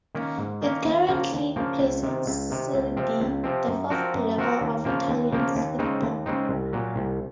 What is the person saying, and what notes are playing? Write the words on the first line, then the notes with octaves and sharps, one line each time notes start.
It currently plays in "Serie D", the fourth level of Italian football.
D#3 A#3 C#4
G#2
D#3 A#3 C#4
D#2
C#3 F3 A#3
D#2
C#3 F3 A#3
C#2
C3 D#3
C#2
C3 D#3
C#2
C3 F3 C4
C#2
C3 F3 C4
F#2
F3 C4 F#4 A#4
F#2
F3 C4 F#4 A#4
D#2
C#3 F3 A#3
D#2
C#3 F3 A#3
D#2
C#3 G#3 C4 D#4
D#2
C#3 G#3 C4 D#4
C2
A#2 F#3
C2